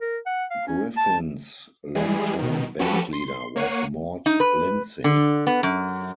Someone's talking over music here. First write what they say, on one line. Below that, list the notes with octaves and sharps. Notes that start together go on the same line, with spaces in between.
Griffin's longtime bandleader was Mort Lindsey.
A#4
F#5
F5
C#4
A5
E3 G3 G#3 G#4
B2 D#3
F3 C#4 F#4 G4 A4 B4
C6
A#3 C#5 F#5 C#6 C7 D#7
D#4
B4
D3
B3
F#2